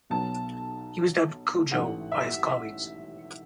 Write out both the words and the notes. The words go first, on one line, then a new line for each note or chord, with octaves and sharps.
He was dubbed "Kujo" by his colleagues.
B1 B2 F#3 B3 A5
A1 G#2 E3 A3 F#5
E5